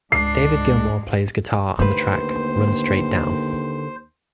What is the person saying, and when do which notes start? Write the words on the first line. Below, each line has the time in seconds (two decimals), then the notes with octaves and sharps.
David Gilmour plays guitar on the track Run Straight Down.
0.12 C#2 G#2 G#3 D4 C7
1.79 D#2 D3 A3 A#3 B4 C5